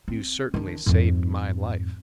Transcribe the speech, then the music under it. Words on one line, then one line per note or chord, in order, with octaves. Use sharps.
You certainly saved my life.
C4
D#3 D4
F2 G#2